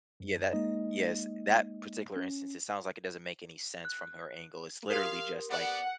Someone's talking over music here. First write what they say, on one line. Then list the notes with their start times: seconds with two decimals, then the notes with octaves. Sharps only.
Yeah, that Yes, that particular instance, it sounds like it doesn't make any sense from her angle. It's literally just, like,
0.20 F#2
0.53 G#3 A#3 D#4 D#5
2.16 C#4
3.85 F#6
4.90 G4 A#4 F5
5.50 B3 D5 F#5